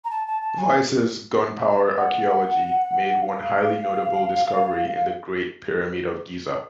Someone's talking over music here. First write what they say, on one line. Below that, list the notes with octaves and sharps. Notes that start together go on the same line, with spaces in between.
Vyse's gunpowder archaeology made one highly notable discovery in the Great Pyramid of Giza.
A#5
A5
A5
A5
G#5
F#5
F5